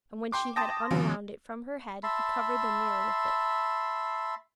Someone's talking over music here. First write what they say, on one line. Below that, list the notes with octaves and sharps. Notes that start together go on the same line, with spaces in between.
And when she had unwound it from her head he covered the mirror with it.
G5 C6 D6
G5 A5 C6 D#6 A6 A#6
C#2 F#2 B2 D3 E3
E5 A5 B5 C6